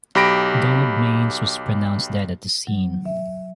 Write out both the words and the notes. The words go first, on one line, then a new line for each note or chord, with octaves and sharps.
Donald Manes was pronounced dead at the scene.
B1 G4 B5 A#6 D7
F#3
E5